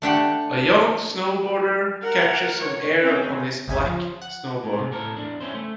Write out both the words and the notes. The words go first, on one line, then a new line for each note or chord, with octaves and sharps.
A young snowboarder catches some air on his black snowboard.
A3 D4 G4 F#5
A#4 F#5
C#5
C4 C#4
G1 D2 E5 G#5 C#6
F3
F#5
A2
C3
A2 A4 A#4
E2 D4
C#4 E4 C5
A3